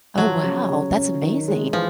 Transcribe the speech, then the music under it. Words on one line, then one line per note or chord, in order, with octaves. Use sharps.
Oh, wow, that's amazing.
F3 F#3
C#3
C#3
C#4
D#3
G#3
E3 F3